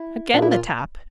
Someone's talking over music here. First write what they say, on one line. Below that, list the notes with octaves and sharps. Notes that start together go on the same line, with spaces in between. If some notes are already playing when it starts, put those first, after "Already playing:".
Again the tap!
Already playing: E4
A#2 D4
E4
F4